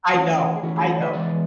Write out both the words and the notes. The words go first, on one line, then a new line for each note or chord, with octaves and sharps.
I know, I know.
E3 A3 C#4
G#4
E3 A3 C#4 F#4
G#4
A4
B4
E3 G#3 B3 D5